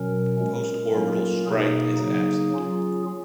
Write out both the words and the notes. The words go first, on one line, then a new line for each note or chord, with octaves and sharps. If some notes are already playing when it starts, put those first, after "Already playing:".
Postorbital stripe is absent.
Already playing: B2 F#3 C#4 A#4
A#2 G#3 C#4
F#3 A#3 C#4 F4
B2 A#3 D#4 G#4
C#3 F#3 A#3 D#4
F#3 C#4 F4